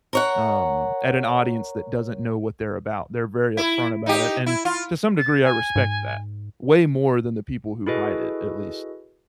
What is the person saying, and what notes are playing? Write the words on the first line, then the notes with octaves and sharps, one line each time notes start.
um at an audience that doesn't know what they're about, they're very upfront about it, and, to some degree, I respect that, way more than the people who hide it, at least.
A#4 C#5 F#5
E4
D#4 G4
E4
F4
A6
G#5
G#2
E4 F#4 G#4 A4 B4 D#5